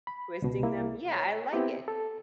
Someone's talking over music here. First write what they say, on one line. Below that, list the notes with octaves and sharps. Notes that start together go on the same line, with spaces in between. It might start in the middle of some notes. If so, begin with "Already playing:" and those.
twisting them yeah, I like it.
B5
C#2 B2
C2 A#3 E4
C#5
B3 C4 E4 G4
A4